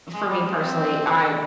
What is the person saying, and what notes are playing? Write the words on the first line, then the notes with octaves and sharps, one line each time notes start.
for me personally, I,
G#3
G3
G#3
C4